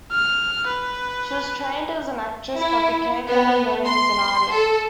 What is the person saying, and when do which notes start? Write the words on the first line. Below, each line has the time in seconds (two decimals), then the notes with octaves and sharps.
She was trained as an actress, but became better known as an artist.
0.12 F6
0.68 B4
2.57 E4
3.29 B3
3.85 C6
4.53 A4